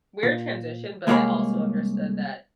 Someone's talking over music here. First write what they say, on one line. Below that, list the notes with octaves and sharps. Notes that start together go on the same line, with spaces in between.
weird transition, but I also understood that
A#2
C2 G#3 A#3 G#4 C#5 B5